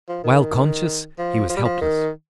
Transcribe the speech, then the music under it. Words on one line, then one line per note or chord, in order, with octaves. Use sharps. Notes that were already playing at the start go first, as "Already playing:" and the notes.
While conscious, he was helpless.
F3
D#3
F3
F3
G3
F3
D#3